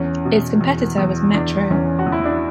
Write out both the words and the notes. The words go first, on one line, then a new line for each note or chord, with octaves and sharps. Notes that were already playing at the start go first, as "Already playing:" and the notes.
Its competitor was "Metro".
Already playing: E2 C#4
B2
E2
E2
E2 D4
E2 C#4
F#4
E2
E4
D4